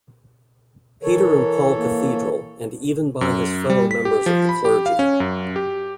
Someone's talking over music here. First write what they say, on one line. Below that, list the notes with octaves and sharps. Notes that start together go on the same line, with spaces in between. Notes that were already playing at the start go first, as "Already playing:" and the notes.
Peter and Paul Cathedral, and even by his fellow members of the clergy.
E3 A4 A#4 C#5
A#3
F#2
G3
B6
G4
F3
B5
G4
F5
C#4
F#2
G4